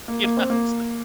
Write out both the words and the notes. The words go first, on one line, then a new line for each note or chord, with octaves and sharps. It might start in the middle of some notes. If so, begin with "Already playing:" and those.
you know, it's like
A#3
A#3
C4
A#3